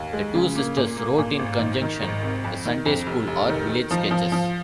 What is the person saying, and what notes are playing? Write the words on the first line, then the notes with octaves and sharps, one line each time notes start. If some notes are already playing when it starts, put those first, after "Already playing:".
The two sisters wrote in conjunction "The Sunday-School, or Village Sketches".
Already playing: D#2
G#3
C#3
A#3
A#2
A#3
A#2
G#1
D#3
D#3
G#1
C3
F2
D#3
F2
F1
F1
D#3
D#3
F3
F3
F3